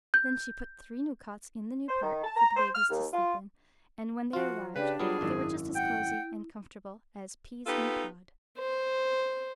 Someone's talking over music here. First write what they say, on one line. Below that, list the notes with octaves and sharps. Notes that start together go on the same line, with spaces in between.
Then she put three new cots in the new part for the babies to sleep in, and when they arrived they were just as cozy and comfortable as peas in a pod.
G6
C5
D#3
A5
A#5
C5
F6
D#2
F4
F3 F4 F#4
C#3 D4 G4 B4 D5 G5
F#3 G3 B3 F4 G#4
G#1 F#2 E4
F#5 G5
B3 D#4 F4 G4 A4 B4
C5